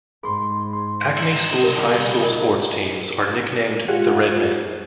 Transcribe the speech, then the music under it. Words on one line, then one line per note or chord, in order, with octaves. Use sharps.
Acme School's high school sports teams are nicknamed the Redmen.
G#2 G#4 B5 C6
C6
D#4 E4
C#3 G3 F#4 A#4
A#4 D5 D#5
G3 G#3 F4 C#5 F#5